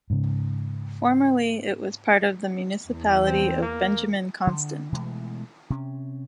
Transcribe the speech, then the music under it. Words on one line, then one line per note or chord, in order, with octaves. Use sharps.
Formerly, it was part of the Municipality of Benjamin Constant.
G#2 C#3
E2
C4
A#3
D3
B2 E3 G#3 A3
C3 C#4